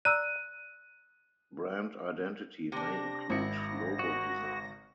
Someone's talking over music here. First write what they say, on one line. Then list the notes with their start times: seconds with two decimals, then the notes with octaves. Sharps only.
Brand identity may include logo design.
0.05 D5 A#5 E6 F#6 D#7
2.72 C3 D4 A#6
3.30 G#1 E4 C#7
3.99 F#4